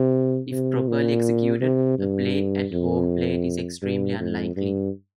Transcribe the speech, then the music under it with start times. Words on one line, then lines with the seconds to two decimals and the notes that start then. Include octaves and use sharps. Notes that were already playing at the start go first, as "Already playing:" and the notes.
If properly executed, a play at home plate is extremely unlikely.
Already playing: C3
0.52 C3
0.88 A#2
1.61 C3
1.99 G2
2.72 F2
3.83 G2
4.19 F2
4.56 G2